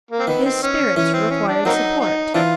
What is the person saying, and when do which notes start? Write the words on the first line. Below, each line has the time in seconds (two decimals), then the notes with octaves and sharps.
His spirits required support.
0.11 A#3
0.19 C4
0.27 D#3 B3
0.45 C4
0.63 C#4
0.96 E3 C#4
1.14 C4
1.30 C#4
1.48 D4
1.65 F#3 A#3 C4 D#4
2.00 D#4
2.34 E3 C4 D4 F4